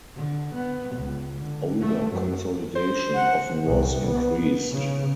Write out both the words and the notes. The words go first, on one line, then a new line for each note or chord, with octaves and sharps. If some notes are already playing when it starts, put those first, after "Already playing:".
Older consolidation often was increased.
D3
B3
C#2
D3
A3
F#2
C5
F#5
C2
B3
C#3